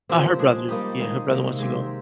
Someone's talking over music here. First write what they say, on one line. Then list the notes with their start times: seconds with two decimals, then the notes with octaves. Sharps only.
Ah, her brother. Yeah, her brother wants to go.
0.09 A#2 F3 C4 G4
0.39 G#3 D4 G#4
0.68 G3 A#3 D#4 G4
0.99 D#3 G#3 D#4
1.29 C3 D#3 A#3
1.59 G#3 C4 G4